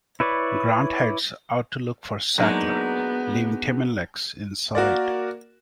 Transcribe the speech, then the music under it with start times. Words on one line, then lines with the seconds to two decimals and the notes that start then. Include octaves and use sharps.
Grant heads out to look for Sattler, leaving Tim and Lex inside.
0.20 E4 B4 C#5 D5
2.38 F#3 G#3 A#3 B3 D4 D#4
4.75 A#3 F#4 A#4 D5